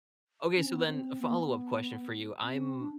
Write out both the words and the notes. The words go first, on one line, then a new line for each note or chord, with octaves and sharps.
Okay, so then a follow-up question for you, I'm
C#4
C4
B3
C4
C4
B3
A#3
B3
C4
D4